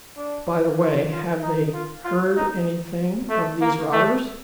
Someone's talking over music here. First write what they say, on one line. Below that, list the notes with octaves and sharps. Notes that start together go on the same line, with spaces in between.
"By the way, have they heard anything of those robbers?"
D4
F4
F4
D#4
F4
F4
D#4
A3
A#3
A3